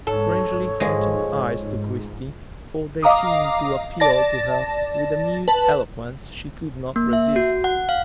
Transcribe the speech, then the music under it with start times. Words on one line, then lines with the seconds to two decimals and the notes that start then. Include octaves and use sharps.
Strangely haunting eyes to Christie, for they seemed to appeal to her with a mute eloquence she could not resist.
0.07 G#2 A4 C#5
0.80 F3 G#3
3.03 D#5 F5 A#5 D6 D#6
4.00 D5 A5 A6 A#6
5.48 B4 A5
6.96 A#3
7.13 E5
7.36 F#4
7.64 F#5
7.89 F5